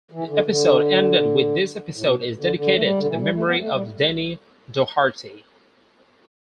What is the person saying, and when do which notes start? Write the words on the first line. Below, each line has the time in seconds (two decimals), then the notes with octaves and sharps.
The episode ended with This episode is dedicated to the memory of Denny Doherty.
0.12 E3
0.29 D3
0.47 D3
1.95 A2
2.03 B2
2.39 D3
2.56 D3
2.75 A3
2.81 G3
2.98 D3
3.08 E3
3.21 G3
3.34 A3
3.47 B3
3.60 A3
3.73 G3